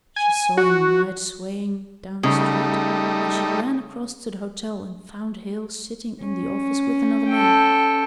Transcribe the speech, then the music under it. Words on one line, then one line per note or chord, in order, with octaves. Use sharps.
She saw him ride swaying down the street and she ran across to the hotel and found Hale sitting in the office with another man.
G#5
F#4
C#3 G3 A3 D#4
C#4
A4 G5